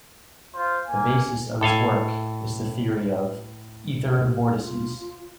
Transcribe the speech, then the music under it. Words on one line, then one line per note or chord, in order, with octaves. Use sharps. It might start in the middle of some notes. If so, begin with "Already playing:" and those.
The basis of his work is the theory of "ether vortices".
F4 C5
A#3 G#5
A2 A4 F5 G#5
F4